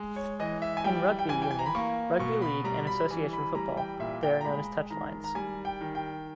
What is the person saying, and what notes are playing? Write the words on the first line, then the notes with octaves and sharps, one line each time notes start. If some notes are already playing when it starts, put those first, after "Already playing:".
In rugby union, rugby league and association football, they are known as touch-lines.
Already playing: G#3
C#5
E3 D#5
E5
G#5
G3 G5
G5
E3 G#5
G5
G#5
A#5
B5
A#3 C#6
B2 C#6
B5
G3 A#5
B5
E3
B5
G3 A#5
G5
A#2 E5
G5
A#5
G#3 B5
D#3 A#5
A#5
G3 G#5
G5
D#3
G5